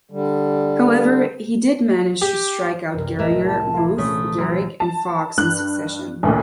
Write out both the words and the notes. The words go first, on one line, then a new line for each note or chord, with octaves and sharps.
However, he did manage to strike out Gehringer, Ruth, Gehrig, and Foxx in succession.
D3 G3
G4
C2 F#2 A#4
A2 G#3 A#4 D#5 E5
A#1 A5
E4 F4 A#5 C6 C7
A#1 E3 A3 C#4 D#6
F#2 A#5
A5
G2 F#6
A1 D2 A#2